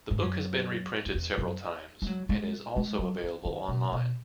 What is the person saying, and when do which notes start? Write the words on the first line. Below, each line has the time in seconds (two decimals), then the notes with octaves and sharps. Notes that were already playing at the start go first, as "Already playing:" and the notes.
The book has been reprinted several times, and is also available online.
0.11 G#2
0.22 F#2
1.06 F#2
1.14 E2
1.38 F#2
2.02 G#3
2.07 F#3
2.29 G#3
2.76 G#3
2.99 F#3
3.23 E3
3.45 D#3
3.68 B2
3.92 B2